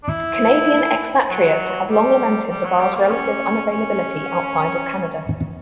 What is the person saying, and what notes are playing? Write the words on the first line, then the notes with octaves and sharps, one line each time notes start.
Canadian expatriates have long lamented the bar's relative unavailability outside of Canada.
D4
E4
F#3
G3
G3
F#3
G3
A#3
C#4
C#4